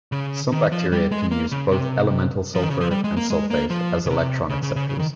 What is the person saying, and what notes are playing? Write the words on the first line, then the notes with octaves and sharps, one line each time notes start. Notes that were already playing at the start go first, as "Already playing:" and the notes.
Some bacteria can use both elemental sulfur and sulfate as electron acceptors.
C#3
D#3
F3
G3
G#3
A#3
C#3
C3
F3
D#3
C#3
F3
G3
G#3
A#3
G#3
A#3
F3
C#3
C3
C#3
C#3
C#3
C#3
D#3